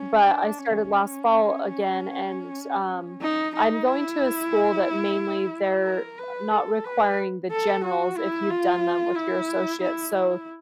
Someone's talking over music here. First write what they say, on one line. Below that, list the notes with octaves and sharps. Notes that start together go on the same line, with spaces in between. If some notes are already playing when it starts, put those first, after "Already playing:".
But, I started last fall again and, um, I'm going to a school that, mainly, they're not requiring the generals if you've done them with your associate's, so
Already playing: C#4
D4
C#4
D#4
D#4
E4
A#4
B4
A4
B4
A4
F#4
E4
F4
E4
E4
E4